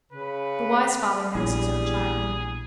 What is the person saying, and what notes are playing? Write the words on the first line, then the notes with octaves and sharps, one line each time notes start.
The wise father knows his own child.
C#3 B4
A#1 E2 G3 G#4